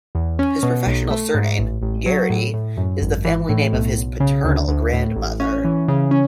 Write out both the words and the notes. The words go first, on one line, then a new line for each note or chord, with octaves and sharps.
His professional surname, Garity, is the family name of his paternal grandmother.
E2
C#4
B2
B1
A3
G#2
A1
A1
F#3
A2
A2
F#2
G#1
E3
A2
B1
B1
C#3
D2
D2
A2
A1
C#4
E3
C#3
C#4